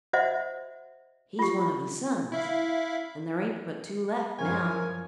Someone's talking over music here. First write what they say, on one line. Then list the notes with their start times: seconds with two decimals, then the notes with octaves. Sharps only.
"He's one of the sons, and there ain't but two left now."
0.13 F#4 C5 D#5 E5 F#5
1.39 F4 G4
2.32 E4 E5 F5
4.39 F#2 F3 A#4 C#5 G#5